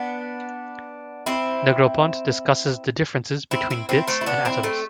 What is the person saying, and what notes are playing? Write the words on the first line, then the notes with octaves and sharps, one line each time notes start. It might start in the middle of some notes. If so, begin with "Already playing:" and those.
Negroponte discusses the differences between bits and atoms.
Already playing: B3 D4
C4 E4
C4 E4
C4 E4
C4 E4
A3 C4
E4
B3 D4
C4 E4
A3 C4